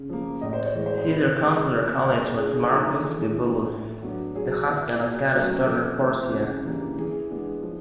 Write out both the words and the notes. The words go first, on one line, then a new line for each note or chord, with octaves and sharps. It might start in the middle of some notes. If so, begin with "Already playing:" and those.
Caesar's consular colleague was Marcus Bibulus, the husband of Cato's daughter Porcia.
Already playing: C#3
F3 A#3
A2 D#5
C5
C#5
E3 G#3
C5
C5
C3 B4
D#3 G#3 C4
B2
G#3 C4
D3 G#4
A4
F3 A#3 D#4 A#4
G#4
E3 A4
G#4
A4
A3 D4
A2
F#3 B3 D4
F#3 G#4
B3 E4
B2
F#3 A3 C#4
F3 A4
A3 C4 E4
C#3
E3 G3 A#3 D4
E3 G#4
G#3 B3 D4
F3